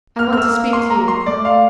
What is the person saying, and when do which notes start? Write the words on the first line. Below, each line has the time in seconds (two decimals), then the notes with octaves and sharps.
I want to speak to you.
0.19 F6
0.28 A#3
0.33 F6
0.36 A3 E6
0.45 A#3
0.73 C6
0.90 A#5
1.08 C6
1.26 A3 D5
1.45 F5